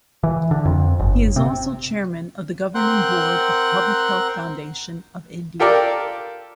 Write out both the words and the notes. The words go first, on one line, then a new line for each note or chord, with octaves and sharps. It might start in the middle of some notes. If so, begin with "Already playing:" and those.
He is also Chairman of the Governing board of Public Health Foundation of India.
E3
D3
F2
G1
C3
C4 A#4 F#5 G5 C6 F#6
F4 G4 A4 A#4 D5